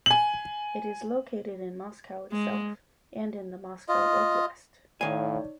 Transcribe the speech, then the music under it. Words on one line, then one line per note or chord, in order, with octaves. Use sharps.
It is located in Moscow itself and in the Moscow Oblast.
G#5 F#7
G#3
F4 D#5
A2 D#3 D#4 C#5 D5 F5 G#5